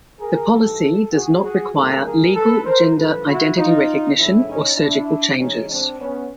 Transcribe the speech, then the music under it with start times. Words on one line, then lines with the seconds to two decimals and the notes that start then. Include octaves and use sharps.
The policy does not require legal gender identity recognition or surgical changes.
0.20 G#4 A#4
0.51 G#2 E3 A3 G4 A4
1.12 F#4 G#4
1.42 F#4 G#4
1.73 G#2 D#3 G3 A#3 G4 A4
2.03 G#4 A#4
2.33 A4 B4
2.64 A#4 C5
2.94 A1 G2 D3 F3 A4 B4
3.25 E4 F#4
3.56 D#4 F4
4.16 B1 A2 E3 G#3 D4 E4
4.47 C#4 D#4
4.77 D4 E4
5.38 E2 C#3 E3 G#3 C#4 D#4
5.69 C4 D4
5.99 B3 C#4